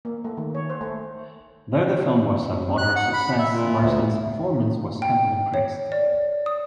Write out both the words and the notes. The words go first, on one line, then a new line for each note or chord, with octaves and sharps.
Though the film was a moderate success, Marsden's performance was heavily praised.
A#3
A3
D#3
C#5
C5
A3
F#6
F#5
B5
E5
A#2
D2
G5
C#5
D5
D#6